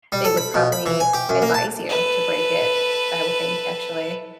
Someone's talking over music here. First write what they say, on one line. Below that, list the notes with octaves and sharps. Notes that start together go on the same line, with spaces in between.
they would probably advise you to break it. I would think, actually.
G3
A4
B5
B2
B5
E3
G#5
G4
F#2
A#3
A5
A4 B4